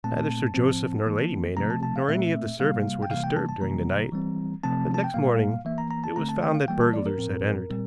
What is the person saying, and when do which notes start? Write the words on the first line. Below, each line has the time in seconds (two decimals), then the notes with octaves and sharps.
Neither Sir Joseph nor Lady Maynard nor any of the servants were disturbed during the night, but next morning it was found that burglars had entered.
0.04 A#2 A3 C4 A5
0.55 A2 F3 C4
1.06 E3 A#3
1.57 C3 F3 A3 C4 A#5
1.70 A5
1.83 A5
1.96 F5
2.08 A#2 A3 C4 E5
2.59 C3 G3 A#3 F5
3.03 G5
3.10 C3 E3 G3 A#3 F5
3.24 G5
3.37 A5
3.49 A5
3.61 C3 E3 G3 A#3 A#5
4.12 E3 G3 C4
4.63 C3 F3 A3 C4 A5
4.94 A5
5.04 G5
5.14 A#2 G3 A#3 F5
5.65 E3 A#3 E5
5.78 A#5
5.91 A#5
6.04 A5
6.16 D3 A3 C4 A#5
6.29 A5
6.43 G5
6.54 F5
6.68 E3 G3 A#3 G5
6.81 A5
6.94 D5
7.06 A#4
7.18 A2 F3 C4
7.70 A#2 G3 C4